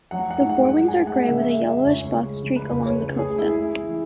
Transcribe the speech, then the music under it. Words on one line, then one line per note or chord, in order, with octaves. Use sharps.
The forewings are grey with a yellowish-buff streak along the costa.
F#3 F#5
F#5
G#2
F#5
G#3 F#5
G#5
G#3
F#5
C#3 E5
E5
C#3
C#2 C#4
G#3
C#3
B4
C#2 B4
C#5
C#3
G#4
G#3
E4
G#3
E3